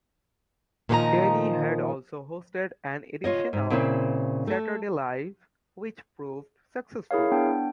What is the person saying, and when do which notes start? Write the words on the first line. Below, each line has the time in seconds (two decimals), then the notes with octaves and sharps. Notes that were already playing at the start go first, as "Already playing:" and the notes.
Kenny had also hosted an edition of "Saturday Live" which proved successful.
0.89 A#2 D#3 F3 G4 D#5 A#5
3.24 F4 C#5 D#5
3.53 G#2
3.70 A#2 C#3 C4 E4
4.47 A3 A4
7.11 E4 G#4 A#4 C#5 F5
7.32 B3 D4 G5